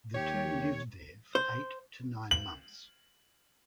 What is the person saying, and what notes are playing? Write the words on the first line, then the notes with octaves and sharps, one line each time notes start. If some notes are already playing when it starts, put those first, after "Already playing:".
The two lived there for eight to nine months.
D#2 G4 C#5
C5
F#7